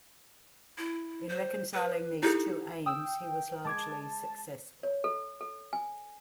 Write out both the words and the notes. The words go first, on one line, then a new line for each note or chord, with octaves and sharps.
In reconciling these two aims he was largely successful.
E4
C5
B4
D#4 E4 G4 A4
G5 D#6 E6
G#3 A5 D6 G#6
C#5
A4
A4
G#5